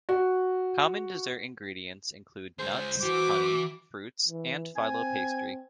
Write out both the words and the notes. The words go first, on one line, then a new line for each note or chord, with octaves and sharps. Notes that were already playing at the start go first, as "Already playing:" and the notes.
Common dessert ingredients include nuts, honey, fruits, and filo pastry.
F#4
C#2 G#4 C5
E3 F#4 D6
E3
C4 G#5